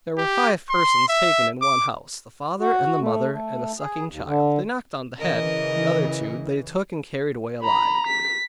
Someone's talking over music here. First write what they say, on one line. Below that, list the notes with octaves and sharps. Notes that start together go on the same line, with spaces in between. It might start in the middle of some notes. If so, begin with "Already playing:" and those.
There were five persons taken in one house; the father, and the mother and a sucking child, they knocked on the head; the other two they took and carried away alive.
G4
C6
E5
D6
F#4
A3
A3
G#4
D#2
D3
C#3 E3 A#4 D#5
A#5 B5
B6